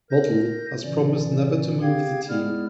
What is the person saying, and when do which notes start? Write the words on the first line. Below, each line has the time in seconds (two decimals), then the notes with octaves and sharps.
Modell had promised never to move the team.
0.10 A#4 G6 A#6
0.83 A#2 C#3 E3 C#4 D5
1.82 C4 G4 G#4 F5 G5 G#6
2.28 G#3 B3 E4 G#4 D5 F6